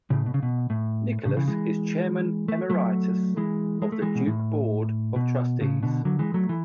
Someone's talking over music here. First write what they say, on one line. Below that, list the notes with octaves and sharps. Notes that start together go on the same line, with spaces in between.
Nicholas is Chairman Emeritus of the Duke Board of Trustees.
A2 C#3
B2
C#3
B2
A2
A2 C#3
C#3 E3
E3 G#3
A3
F#3 A3
E3 G#3
G#3
A3
E3 G#3
B2
A2
B2
A2 C#3
B2 D3
D3 F#3
E3 G#3
F#3 A3
E3